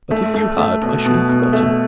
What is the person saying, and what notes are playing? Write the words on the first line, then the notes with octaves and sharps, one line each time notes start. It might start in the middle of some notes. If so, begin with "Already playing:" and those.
But if you had I should have forgotten.
A3
A3
A3
B2
B2
B2
A3